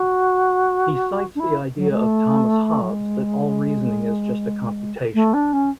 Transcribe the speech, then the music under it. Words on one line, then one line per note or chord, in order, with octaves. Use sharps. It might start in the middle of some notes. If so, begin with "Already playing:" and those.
He cites the idea of Thomas Hobbes that all reasoning is just a computation.
Already playing: F#4
D4
E4
F#3
G#3
A3
F#3
G#3
A3
D4
C#4